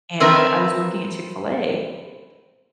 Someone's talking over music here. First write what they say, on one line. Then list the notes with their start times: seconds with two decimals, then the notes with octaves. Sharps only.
and I was working at Chick-fil-A,
0.20 C4 A#4 B4 E5